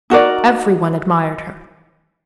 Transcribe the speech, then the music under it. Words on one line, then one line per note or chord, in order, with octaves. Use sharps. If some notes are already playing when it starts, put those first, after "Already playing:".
Every one admired her.
D#4 F#4 A#4 D5